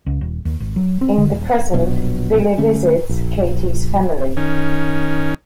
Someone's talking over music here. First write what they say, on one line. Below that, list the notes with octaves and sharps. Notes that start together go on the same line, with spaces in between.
In the present, Billy visits Katie's family.
C#2
D#1
D#2
G#1
F#3
C4
D3
D#1
A#1 B2 F#3
D3 A3 C#4
A#1
D#3 C#4